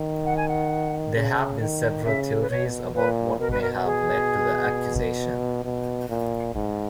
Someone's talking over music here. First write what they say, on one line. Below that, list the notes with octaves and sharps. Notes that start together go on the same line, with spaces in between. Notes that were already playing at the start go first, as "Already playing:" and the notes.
There have been several theories about what may have led to the accusation.
Already playing: D#3
F#5
G#5
F#5
C#3
D#3
C#3 E5
B4
B2 C#5
A#2 B4
B2 A#4
B4
A#4
G#4
B2
A#2
G#2